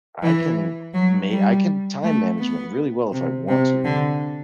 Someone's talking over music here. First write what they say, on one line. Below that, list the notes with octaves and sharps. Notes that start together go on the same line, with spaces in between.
I can ma I can time management really well if I want to.
E3
F#3
G3
A3
B3
C3
C3
D3